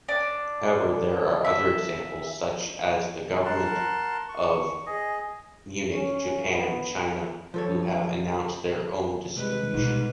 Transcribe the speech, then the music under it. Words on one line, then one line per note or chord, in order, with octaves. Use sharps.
However there are other examples, such as the Government of Munich, Japan and China, who have announced their own distribution.
D4
E5
A#4 F#5 A5 C6
C#6
G#4 D#5
C#4
B3
F3 A4 C#5
C3 G3 G#3 B4
G#2 B2 F4